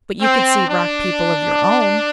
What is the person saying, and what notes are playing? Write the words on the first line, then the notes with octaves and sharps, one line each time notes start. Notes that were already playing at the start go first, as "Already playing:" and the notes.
But you could see rock people of your own.
C4
D4